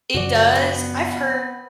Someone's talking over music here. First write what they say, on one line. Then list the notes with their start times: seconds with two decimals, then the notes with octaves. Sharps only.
it does I've heard
0.15 F#2 C#3 F3 F#4 D5
0.55 B3